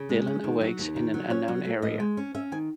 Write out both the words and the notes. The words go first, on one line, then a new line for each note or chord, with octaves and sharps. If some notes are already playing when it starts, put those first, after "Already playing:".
Dylan awakes in an unknown area.
Already playing: C#3
G#3
C#4
D#3
F#3
D#2
D#3
F#3
C#4 C#5
F#3
A3
A2 D#5
G#3
C#4
C#4 E5
D#3 G#5